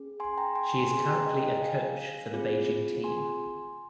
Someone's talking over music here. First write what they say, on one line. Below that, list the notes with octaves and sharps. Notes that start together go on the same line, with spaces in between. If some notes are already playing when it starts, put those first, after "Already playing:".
She is currently a coach for the Beijing team.
Already playing: C#4 G#4
G#5 C6
G5 A#5
G#5 C6
G#5 C6
C#4 G#4 G#5 C6
G5 A#5
D#5 G5
D#5 G5
F5 G#5
C4 F4 G#4
G#5 C6